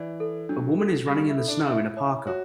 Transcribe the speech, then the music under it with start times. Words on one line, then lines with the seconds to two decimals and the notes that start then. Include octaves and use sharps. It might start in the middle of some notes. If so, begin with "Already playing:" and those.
A woman is running in the snow in a parka.
Already playing: E3 D5
0.20 A4
0.49 F#3 D4
0.79 A4
1.08 G3 B5
1.28 E4
1.38 A4
1.48 D4
1.67 E4 E5
1.97 C#5
2.27 F#4 C#5